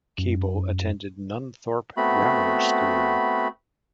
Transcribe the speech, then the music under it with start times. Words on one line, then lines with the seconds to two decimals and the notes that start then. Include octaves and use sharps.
Cable attended Nunthorpe Grammar School.
0.18 F#2
1.97 A3 B3 C4 F#4 B5